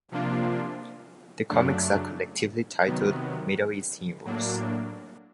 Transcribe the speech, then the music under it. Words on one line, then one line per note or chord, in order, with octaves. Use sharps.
The comics are collectively titled "Middle East Heroes".
C3 F3 A#3 D4 F4
F#2 C#3 F#3 A3 D4
C3 D#3 F#3 B3
A2 F#3 A#3 D4